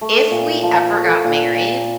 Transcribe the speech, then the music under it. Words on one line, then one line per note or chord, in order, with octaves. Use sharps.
if we ever got married"
A3
A#2
F3
A3
A#2
A#2